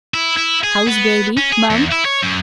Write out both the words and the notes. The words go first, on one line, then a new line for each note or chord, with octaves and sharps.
How's Baby, mum?
E4
E4
G#4
B3
C#4
G#4
E2
E4
C#5
F#2